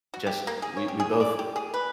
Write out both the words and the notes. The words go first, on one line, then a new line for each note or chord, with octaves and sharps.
just we we both
F#4
G4
A#3
G#4
C#5
G4
G#4
D5
G4
G#4
B4